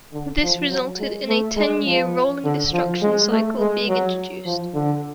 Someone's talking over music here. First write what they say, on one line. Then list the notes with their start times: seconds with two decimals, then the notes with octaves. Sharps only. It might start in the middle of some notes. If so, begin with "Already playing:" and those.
This resulted in a ten-year rolling destruction cycle being introduced.
0.13 D3
0.42 F3
0.71 F#3
1.00 G#3
1.28 A3
1.57 G#3
1.86 F3
2.44 D3
2.73 F3
3.02 G#3
3.30 A3
3.59 G#3
3.89 F#3
4.45 F3
4.75 D3